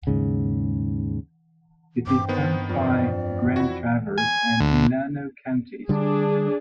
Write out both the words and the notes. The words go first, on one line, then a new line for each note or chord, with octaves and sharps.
It is owned by Grand Traverse and Leelanau counties.
D#2 G#2 C#3
G2 C4 D6
D#3 B3 C5
F2 D5
E4 F#4
G#5
D2
D3 G3 D4 G#4